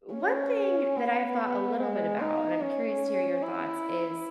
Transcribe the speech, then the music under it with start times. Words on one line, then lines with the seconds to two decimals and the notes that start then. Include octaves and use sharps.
one thing that I have thought a little bit about, and I'm curious to hear your thoughts, is
0.15 C#4
0.96 B3
1.79 G#3
2.19 D#4
2.60 C#4
3.42 E4